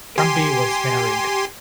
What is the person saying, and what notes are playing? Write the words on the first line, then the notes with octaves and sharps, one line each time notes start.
Cumby was married.
G4 G#5 C6